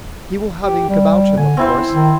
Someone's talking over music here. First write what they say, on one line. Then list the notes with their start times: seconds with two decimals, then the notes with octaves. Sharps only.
He will have ink about him, of course.
0.62 G4
0.89 G3
1.37 D3 G#5
1.57 B3 C4 E4 C5
1.91 D#3